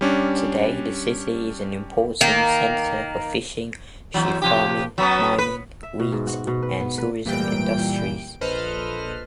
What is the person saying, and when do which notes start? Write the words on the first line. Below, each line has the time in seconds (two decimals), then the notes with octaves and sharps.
Today, the city is an important center for fishing, sheep farming, mining, wheat, and tourism industries.
0.01 G3 C#4 D4
2.21 D#3 A#3
4.14 E2 F#3
4.42 C3 F3 G4
4.98 F#3 B3 C#4
5.38 B4
5.83 E5
6.00 B2
6.12 G#2
6.27 F#4
6.47 B2
6.63 B4
6.80 B3
6.98 B4
7.26 A#2 E3 G3 G5 D7
8.41 A#1 A4 B4 C5 D#5 F6